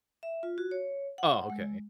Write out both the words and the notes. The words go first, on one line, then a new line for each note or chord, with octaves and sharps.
Oh, okay.
E5
F4
F#4
C#5
F#5
G#3